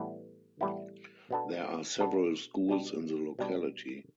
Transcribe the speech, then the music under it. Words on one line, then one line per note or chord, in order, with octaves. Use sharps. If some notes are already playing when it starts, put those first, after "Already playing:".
There are several schools in the locality.
Already playing: A2 E3 G3 B3 E4
A2 E3 G3 B3 E4
B2 B3 D4 A4
B2 B3 D4 A4
B2 G3 D4
B2 G3 D4